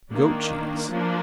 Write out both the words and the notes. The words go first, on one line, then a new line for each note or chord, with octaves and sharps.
Goat cheese.
D#3 A#3 D4
F3 A#3 D4